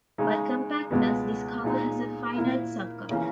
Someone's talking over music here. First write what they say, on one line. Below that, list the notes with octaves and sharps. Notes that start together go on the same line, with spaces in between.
By compactness, this cover has a finite subcover.
C#3 G#3 D#4
C#2 B2 G#3 B3 F#4
A#2 G#3 D#4
A#2 A#3 E4 A#4
C#3 E3 A#3 C#4